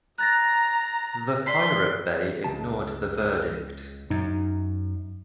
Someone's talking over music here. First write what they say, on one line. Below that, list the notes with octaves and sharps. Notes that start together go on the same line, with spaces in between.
The Pirate Bay ignored the verdict.
A#5 F#6 A6 A#6
D5 C6 B6 C7
C#2 A5
F#2 D#4